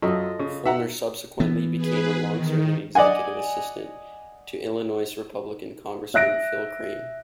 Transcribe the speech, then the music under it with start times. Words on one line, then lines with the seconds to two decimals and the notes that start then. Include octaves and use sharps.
Feulner subsequently became a long-serving executive assistant to Illinois Republican congressman Phil Crane.
0.02 F#2 F4 A4 D#5
0.39 C#3
0.66 D#4 E5 F#5 A#5
1.40 E3 B3
1.77 G#4 B4
2.30 D#3
2.95 D5 D#5 F#5 G#5
6.14 E5 F#6 A#6 D7